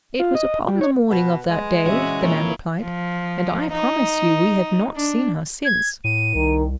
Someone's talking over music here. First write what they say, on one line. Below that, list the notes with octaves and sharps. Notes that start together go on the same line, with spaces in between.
"It was upon the morning of that day," the man replied; "and I promise you, we have not seen her since."
F4
D#5
G3
C#5
B2 B4 F#5
G#3
A#2 C#3 E3 F#4 C#5 E5
A#3 C4 E4 F4 A#4 C#5
F3
D#4
D4
G#6
A2 D#7
C2 D#3